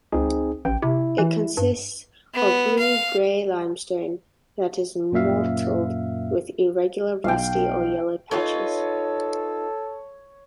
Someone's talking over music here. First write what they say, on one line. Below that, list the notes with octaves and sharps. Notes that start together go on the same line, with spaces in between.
It consists of blue-gray limestone that is mottled with irregular rusty or yellow patches.
C#2 C4 D#4 G#4
A1 G5
C3 E4
E3
G2
B3
F5
F#2 A#2 A#3 E5 F5
B1 F5 G5
D#4 F4 A4 B4 C#5